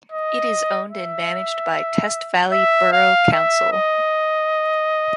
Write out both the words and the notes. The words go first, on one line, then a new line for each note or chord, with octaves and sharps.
It is owned and managed by Test Valley Borough Council.
D#5
E5
E5
F5
E5
D#5